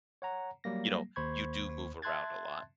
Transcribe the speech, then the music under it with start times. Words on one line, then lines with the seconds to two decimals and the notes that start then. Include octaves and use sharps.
you know, you do move around a lot.
0.22 C#5 F#5 A#5
0.64 F#3 G3 A#3 A#6
1.16 D#2 C5 B5 C#6 G#6
2.02 E5 A5 C6 F#6 G#6 A6